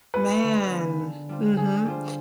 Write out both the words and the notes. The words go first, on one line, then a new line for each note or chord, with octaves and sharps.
Man, mhm.
G#3 B3 F4 G#4 B4
D3
G#3 B3 F4 G#4
D3
G3 D4 F4 C5
D3 G#4
G3 D4 F4 C5